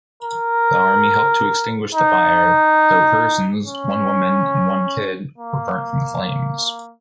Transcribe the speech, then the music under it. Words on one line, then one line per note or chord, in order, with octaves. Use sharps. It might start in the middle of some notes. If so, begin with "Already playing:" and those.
The army helped to extinguish the fire: tho persons, one woman and one kid, were burnt from the flames.
A#4
D#4
C#4
A#3